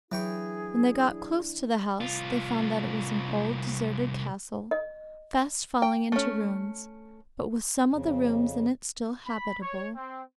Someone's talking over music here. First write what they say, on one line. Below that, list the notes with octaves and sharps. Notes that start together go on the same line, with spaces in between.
When they got close to the house they found that it was an old deserted castle, fast falling into ruins, but with some of the rooms in it still habitable.
E3 F#3 D4 E4 G#4 G5 C#6
C2 F4
D#5
G5
A3 C#4
F2 C#3
B5
C#5
C4